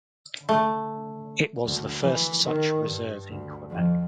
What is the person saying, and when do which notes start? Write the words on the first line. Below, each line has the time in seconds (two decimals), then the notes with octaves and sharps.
It was the first such reserve in Quebec.
0.49 A3
1.65 D2
2.00 E3
2.43 D#3
2.87 G2
3.30 D2
3.70 F2